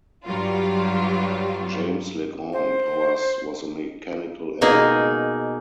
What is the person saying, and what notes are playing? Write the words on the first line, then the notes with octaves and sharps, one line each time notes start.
James Legrand Powers was a mechanical engineer.
G2 F#3 G3 F4
C5
B2 A#3 D#4 G#4